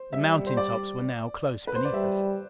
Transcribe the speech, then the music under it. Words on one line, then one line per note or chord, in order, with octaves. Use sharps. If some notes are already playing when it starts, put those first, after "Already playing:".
The mountain tops were now close beneath us.
Already playing: C5
G3 E5
C5
D5
B4
C5
D5
G3 E5